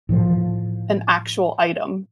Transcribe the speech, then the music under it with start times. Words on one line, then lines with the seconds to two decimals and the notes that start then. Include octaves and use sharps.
an actual item?
0.09 A2 E3 F3